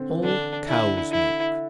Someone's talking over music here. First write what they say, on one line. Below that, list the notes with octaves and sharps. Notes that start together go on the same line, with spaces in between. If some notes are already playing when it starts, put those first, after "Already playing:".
Whole cow's milk.
Already playing: D3 C4
E3
D3 D4
E4
E4